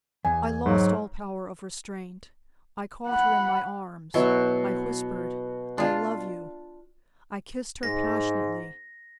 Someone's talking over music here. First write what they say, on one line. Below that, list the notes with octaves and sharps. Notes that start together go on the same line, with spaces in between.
I lost all power of restraint; I caught her in my arms; I whispered, "I love you!" I kissed her passionately.
E2 G#5
G#2 F#3
F#5 B5
B2 F#3 E4
D4 F4
G#2 A#6